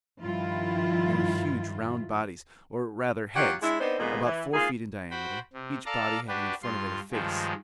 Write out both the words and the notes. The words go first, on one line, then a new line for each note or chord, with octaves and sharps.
They were huge round bodies--or, rather, heads--about four feet in diameter, each body having in front of it a face.
G2 D#3 F3 E4 F4
F#3 D#4 F4 G4 F#5
G#3 D4 E4
B3 C4 D4 D#4 C5
F2 A#2 D#3 G#3 B3
E3
G#2 A#3 F4 G#4
F#4 C5 G5 B5
C3
A4 D5 F5 A5 A#5
D4 F#4 G4 B4
G2 F4 C6
G2 D#3 F3 G#3